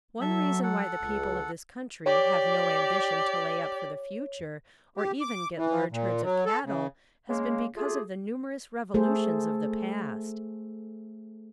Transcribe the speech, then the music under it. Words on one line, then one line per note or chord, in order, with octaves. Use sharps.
One reason why the people of this country have no ambition to lay up for the future or even get large herds of cattle has been because of the numerous revolutions of the past.
F#3 A4 E5
A4 F#5
C#2
G4 C#5 D5
G4
D6
E3
A#2
F#3
A4
C#3
C#3 G#3 A#3
A3 F4 G4 G#4
A3 G#4 A4 C5